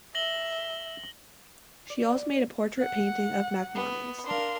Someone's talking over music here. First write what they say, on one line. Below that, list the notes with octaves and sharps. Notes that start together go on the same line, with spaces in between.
She also made a portrait painting of MacMonnies.
E5 A#6 F#7 G7
D5
F#5
B3
D4 A#4 F5 C6